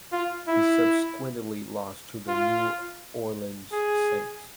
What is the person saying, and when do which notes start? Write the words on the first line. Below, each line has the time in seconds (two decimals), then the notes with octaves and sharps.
He subsequently lost to the New Orleans Saints.
0.12 F4
0.48 E4
2.28 F4
3.72 G#4